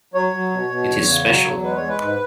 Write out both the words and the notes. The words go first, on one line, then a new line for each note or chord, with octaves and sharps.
It is special.
F#3 C#5
F#3
B2
B2
E2
C#3
F#3
E2
G#3 B4
C#5
G#3
B4
G#2